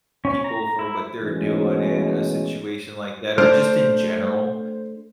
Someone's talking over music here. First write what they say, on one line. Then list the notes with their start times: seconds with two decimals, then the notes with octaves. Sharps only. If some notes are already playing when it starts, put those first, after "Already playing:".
people for what they're doing in a situation like that, or just in general.
0.25 C#4
0.44 A#5
0.79 E4
1.23 B2 E3 G#3 A3 C#4
3.38 A3 D4 C5 F6 D7